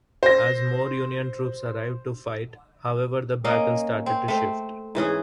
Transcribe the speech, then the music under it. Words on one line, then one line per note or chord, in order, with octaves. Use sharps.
As more Union troops arrived to fight however the battle started to shift.
C5 A#6
A#3 C#4 D#5
C4
A3 C4
G#2 E3 C#4 G#4